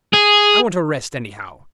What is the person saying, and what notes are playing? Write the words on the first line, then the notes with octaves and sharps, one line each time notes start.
"I want a rest anyhow...."
G#4